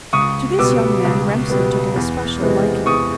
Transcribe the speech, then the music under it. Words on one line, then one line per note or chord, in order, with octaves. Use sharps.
To this young man Remsen took an especial liking.
C#2 C#6 D#6
B2 G3 B3 D6 E6
C#2
B2 G3 B3
E2
C3 E3 G#3 B3
E2 C#6 D#6